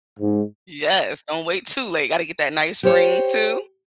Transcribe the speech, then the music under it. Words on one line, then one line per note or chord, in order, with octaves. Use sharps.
Yes, don't wait too late, gotta get that nice ring too.
G#2
G4 C5 C#5